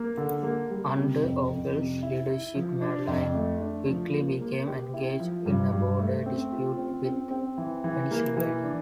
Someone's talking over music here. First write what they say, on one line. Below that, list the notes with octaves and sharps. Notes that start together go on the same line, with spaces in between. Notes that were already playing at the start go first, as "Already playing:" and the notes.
Under Ogle's leadership Maryland quickly became engaged in a border dispute with Pennsylvania.
Already playing: A#3
D3
A#3
G3
C3
F2
F2
C3
E4
E4
F3
D4
F2
A3
D4
F3
A#3
A#3
G4
E4
F3
G2
G2
A3
C4
F4
C4
C4
C4
E3
E3
A#3
E3
D4